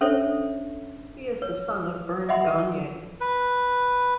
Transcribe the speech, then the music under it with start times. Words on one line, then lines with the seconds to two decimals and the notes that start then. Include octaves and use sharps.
He is the son of Verne Gagne.
0.01 C#4 D4 A4 C5 C#5 E5
1.42 B4 C#5
2.29 D#5 E5 F#5 B5 C6
3.20 B4